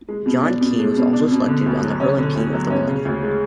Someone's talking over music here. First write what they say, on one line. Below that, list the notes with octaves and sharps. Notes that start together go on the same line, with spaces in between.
John Keane was also selected on the hurling team of the millennium.
G#3
B2
D4
B2
G#3
B2
D4
B2
D3
D2
F#3
C#4
D3
D2
F#3
C#4
C#3
D2
G#3